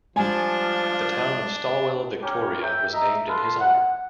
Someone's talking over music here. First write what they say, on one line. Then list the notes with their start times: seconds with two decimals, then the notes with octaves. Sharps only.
The town of Stawell, Victoria was named in his honour.
0.16 F3 G3 G#3 D4 G#5
2.23 C#4 G4 A#4 C#5
2.63 E5 G5
2.93 D#5 E5 A#5
3.27 A4 B4 F5 C6
3.60 F#5